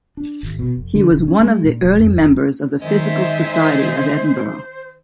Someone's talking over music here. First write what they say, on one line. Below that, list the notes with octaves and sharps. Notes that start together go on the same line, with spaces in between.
He was one of the early members of the Physical Society of Edinburgh.
D4
G#1
B2
F1
D3
E1
C#4
G#3
A#2
E1
F2
F1
D#3 G#3 C5 E5